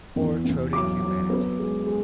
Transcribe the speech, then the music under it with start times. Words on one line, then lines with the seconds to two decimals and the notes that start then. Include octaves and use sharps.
Poor, toadying humanity!
0.16 E2
0.45 E2
0.73 F#3 D6
1.01 F#3
1.30 B3
1.59 G#3
1.86 G#3